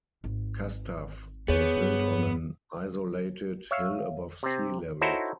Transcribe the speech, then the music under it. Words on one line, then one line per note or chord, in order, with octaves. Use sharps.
Kastav was built on an isolated hill above sea level.
G#1
E2 B3 G#4 C#5
G2
C#5 E5 F5
C3 C4
D#4 E4 F#4 A4 C5 C#5